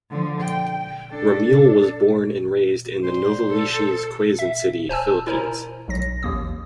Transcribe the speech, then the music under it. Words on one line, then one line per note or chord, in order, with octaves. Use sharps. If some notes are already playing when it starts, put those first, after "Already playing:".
Ramil was born and raised in the Novaliches, Quezon City, Philippines.
D3 F3
G5
D4 A4
A#2 C5 C6
A4
E5
C5 G#5 A5 E6
E4 A#4 C5 G#5 A#5
B1 F#3 A#6
A1 D#2 A#3 D#6